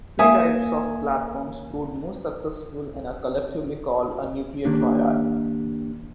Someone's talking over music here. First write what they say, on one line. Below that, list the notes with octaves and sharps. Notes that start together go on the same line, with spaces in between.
Three types of platforms proved most successful and are collectively called a "nuclear triad".
A#3 E5 G#5 D#6
D#3 A#3 D4 G4